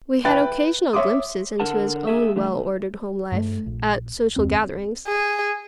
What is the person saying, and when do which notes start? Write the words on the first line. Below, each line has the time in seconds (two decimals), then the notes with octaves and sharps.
We had occasional glimpses into his own well-ordered home-life, at social gatherings.
0.25 B4 E5 G5 B5 F#6 A6
0.93 C#5 E5 C6 D6 D#6
1.60 D3 A#4 F#5 A5
2.07 A#3 G#4 E5
2.36 D3 E3 A3
3.32 G2 G#3 A3
3.66 A#1
4.36 F#1 D#2 C4
5.08 G#4